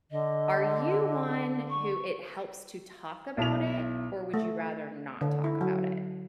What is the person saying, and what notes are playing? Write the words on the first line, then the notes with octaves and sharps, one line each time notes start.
are you one who it helps to talk about it, or would you rather not talk about it?
D3 D#5
C#6
B1 E4 F7
A3
D3
E4
F#3